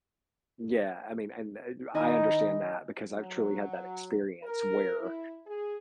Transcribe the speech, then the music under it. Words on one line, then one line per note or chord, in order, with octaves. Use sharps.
Yeah, I mean, and, uh, you I understand that because I've truly had that experience where,
D#3 D#4 E4 D#5 G#5
F#3
A#4
E4
G#4